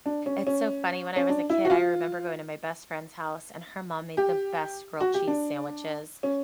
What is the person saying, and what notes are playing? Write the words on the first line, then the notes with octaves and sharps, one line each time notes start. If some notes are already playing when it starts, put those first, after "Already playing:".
It's so funny, when I was a kid, I remember going to my best friend's house, and her mom made the best grilled cheese sandwiches,
D4
C#4
C#4
C#4
D4
E4
F#4
F4
G4
F#4
G4
D4
C#4